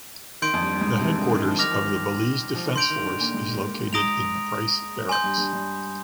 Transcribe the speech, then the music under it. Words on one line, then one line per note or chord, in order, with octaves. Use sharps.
The headquarters of the Belize Defence Force is located in the Price Barracks.
D#3 C6 G6 D7
F2
G2
G2
G#2
C3
D3
D#3
F3
D#3 D6 F6 A#6 F7
F3
D#3
F3
D#3
D3 C6 G6 D7 F7
D#3
D3
A#2
G#2
G#2 A#5 D#6 A#6 D7 F7
G#5 C6 G6
G2
G2
G2